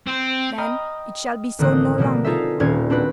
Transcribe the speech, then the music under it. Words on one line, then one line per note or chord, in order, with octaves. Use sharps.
'Then it shall be so no longer!
C4
D#5 G5 A#5 B5 D#6 F6
A1 D3 A#3 C4 D#6 F#6
B2 F3 G3 A#3
D#4 F4 G#4 A4 C5 E5
D#1 C#4 F4 G#6
C4 D4 F#4 B4